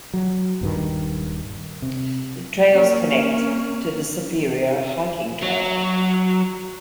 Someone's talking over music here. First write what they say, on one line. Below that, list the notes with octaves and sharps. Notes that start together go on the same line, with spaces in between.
The trails connect to the Superior Hiking Trail.
F#3
D#1 G2 D#3
C3
A#3 C#4
F#3